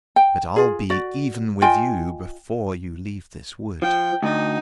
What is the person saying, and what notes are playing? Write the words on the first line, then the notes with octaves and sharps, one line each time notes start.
"But I'll be even with you before you leave this wood."
G5
F4 G#4
F#4 D5
F4 D#5 G5 G#5
F3 G5
D2 D#4